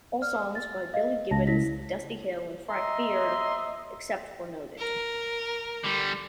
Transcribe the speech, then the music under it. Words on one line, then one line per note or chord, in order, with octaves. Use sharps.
All songs by Billy Gibbons, Dusty Hill and Frank Beard, except where noted.
D5 F6
A6
D#5 F5
C#2 A5 A#6
E4 A#6 B6
D#5 E5 A#5 C6
A#4
D3 G3